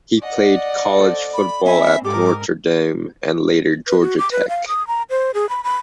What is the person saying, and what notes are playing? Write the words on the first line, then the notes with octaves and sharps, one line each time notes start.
He played college football at Notre Dame and later Georgia Tech.
D5 D#5 F#5
A4 C5
B5
C4 D#5 E5 G#5 B5
G#2 G4 A4 A#4 D6
B4
F#4
D6
B4
F5
D#6
A#5
C5
G#4
B5
B5